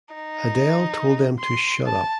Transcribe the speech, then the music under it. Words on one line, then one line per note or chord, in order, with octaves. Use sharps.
Adele told them to "Shut up".
D#4
C6
A5